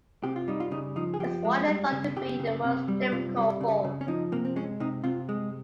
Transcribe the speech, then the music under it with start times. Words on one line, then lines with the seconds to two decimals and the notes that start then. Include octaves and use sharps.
That's widely thought to be the most difficult form.
0.24 C3 G4
0.36 F4
0.48 G3 D#4
0.60 F4
0.71 C#3 D#4
0.96 F3 D#4
1.14 G#4
1.20 F3 G4
1.45 G#3
1.68 G3
1.92 C#3
2.16 C#3 G4
2.40 C#3
2.65 C3
2.88 G3
3.12 C3 F4
3.37 G3
3.61 C#3
3.85 C#3
4.01 C#4
4.08 F3 D#4
4.32 C3 A#3
4.45 C4
4.56 G#3 C#4
4.80 C3 D#4
5.04 C3 F4
5.29 G#3